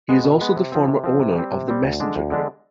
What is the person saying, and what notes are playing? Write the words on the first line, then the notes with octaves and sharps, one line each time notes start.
He is also the former owner of the Messenger Group.
G#3 B3
B2
G#3 B3
C3
F3 C4
C3
F3 C4
C3
G3 C4
C3
G3 C4
D2
D3 G#3 D4
D2
D3 G#3 D4